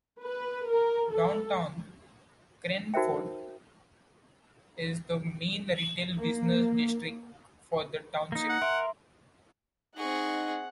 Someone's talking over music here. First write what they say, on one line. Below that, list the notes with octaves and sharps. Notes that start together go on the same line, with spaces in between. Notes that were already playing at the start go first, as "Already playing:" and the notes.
Downtown Cranford is the main retail business district for the township.
B4
A#4
A4
D#4 F#4 A#4 C5 E5 G5
A#3
A#3 D#4
F#5
A#4 E5 C6
C4 D#4 G#4 D#5 F#5 C#6